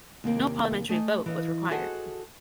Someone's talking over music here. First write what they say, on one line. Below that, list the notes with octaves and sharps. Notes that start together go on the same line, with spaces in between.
No parliamentary vote was required.
D#2 C3 A#3
A3 D#5 G#5
E3 D#5 F5
F#4 G#4 A4 C5 D#5 F#5